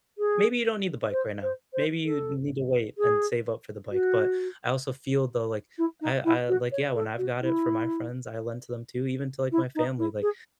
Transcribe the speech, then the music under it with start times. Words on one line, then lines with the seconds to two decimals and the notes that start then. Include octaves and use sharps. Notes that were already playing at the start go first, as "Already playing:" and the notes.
maybe you don't need the bike right now. Maybe you need to wait and save up for the bike," but, I also feel though, like, I I like yeah, when I've got it for my friends, I lend to them too, even to, like, my family, like,
0.18 G#4
1.11 C5
1.42 C5
1.73 C5
2.04 A4
2.98 G#4
3.91 F#4
5.78 E4
6.01 D#4
6.24 E4
6.48 F#4
6.71 C#5
6.95 A4
7.18 F#4
7.41 E4
9.51 E4
9.75 D#4
9.98 E4
10.21 G#4